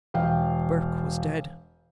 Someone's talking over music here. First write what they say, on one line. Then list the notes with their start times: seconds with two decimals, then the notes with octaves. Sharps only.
Burke was dead!
0.14 E1 F5 G5